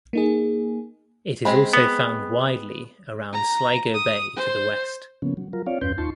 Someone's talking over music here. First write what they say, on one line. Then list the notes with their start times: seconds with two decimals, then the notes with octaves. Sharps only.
It is also found widely around Sligo Bay to the west.
0.13 A#3 D#4 G#4
1.45 G#3 C4 B5
1.73 B3
3.33 A#5
3.94 D#6
4.36 C5
5.22 C#3 F3 A#3 B3 C#4
5.37 F#3
5.53 F#3 F4 A#4
5.66 C4 F4 C#5 D5 F5
5.81 E2 G2 C#4 B4 C6 G6
5.98 D#2 D#4 F4 A5 C6 C#6